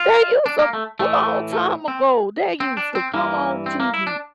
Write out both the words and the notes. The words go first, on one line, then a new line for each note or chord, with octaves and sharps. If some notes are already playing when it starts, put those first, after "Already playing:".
They use to a long time ago, they used to come on TV,
Already playing: F4
D4
A#3
A3
A2 E3 A3
A3
C4
C4
D4
C4
G2 E3 A#3
C4
A#3
E4
D4